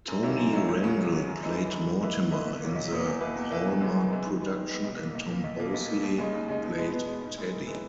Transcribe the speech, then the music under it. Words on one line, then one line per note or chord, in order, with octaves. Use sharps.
Tony Randall played Mortimer in the Hallmark production and Tom Bosley played Teddy.
F#2
D#3 F#3 A#3 E4
F#2
D#3 F#3 A#3 E4
C#2
C#3 F#3
C#2
C#3 F#3
F#2
E3 G#3 D#4
F#2
E3 G#3 D#4
D#3
A#3 E4 B4 D#5
D#3
A#3 E4 B4 D#5
B1
A#2 F#3 A#3
B1
A#2 F#3 A#3
E2
B2 A#3 E4 B4
E2
B2 A#3 E4 B4
E2
C#3 E3 G#3 B3
E2
C#3 E3 G#3 B3
D#3
G#3 B3
D#3
G#3 B3
B1
A#2 A#3
B1
A#2 A#3
B1
B2 A#3
B1
B2 A#3
D#2
C#3 G#3 D#4
D#2
C#3 G#3 D#4
B2
G#3 B3
B2
G#3
B3
G#2
E3 G#3
G#2
E3 G#3